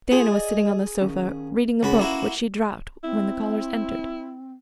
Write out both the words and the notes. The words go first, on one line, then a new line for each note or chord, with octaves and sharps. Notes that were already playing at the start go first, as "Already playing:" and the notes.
Diana was sitting on the sofa, reading a book which she dropped when the callers entered.
B3 F4 G#4 C5
D5 D#5
D#3 C#4
C#2 C#4 F#4 B4 B5
A#3 E4 F#4
C4 E4